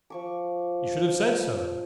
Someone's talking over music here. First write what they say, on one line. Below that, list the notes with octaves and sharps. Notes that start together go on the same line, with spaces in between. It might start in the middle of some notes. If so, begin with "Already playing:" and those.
You should have said so.
F3 C#6 D6